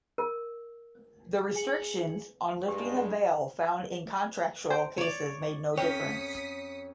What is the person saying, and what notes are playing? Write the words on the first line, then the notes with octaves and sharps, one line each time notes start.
The restrictions on lifting the veil, found in contractual cases made no difference.
A#4
G#4 G#5 C#7 F#7
G2 G#3 G4
C5 G5
C#5 D5
F2 C#4 C#5 G5 D#6 B6 C#7